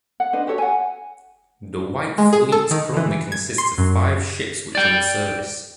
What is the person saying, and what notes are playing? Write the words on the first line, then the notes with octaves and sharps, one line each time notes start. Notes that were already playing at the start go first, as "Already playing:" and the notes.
The White Fleet currently consists of five ships which are in service.
F#5
D4 B4 C5 D#5
F#4 G4 A4 C#5
F#5 G#5
G#3
G#4
A4
D#3
E3
G#6
C6
F#2
D5 G5